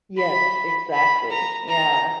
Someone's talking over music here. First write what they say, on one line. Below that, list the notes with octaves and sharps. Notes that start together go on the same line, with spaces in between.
Yes, exactly. Yeah.
B5
B5
A#5
A#5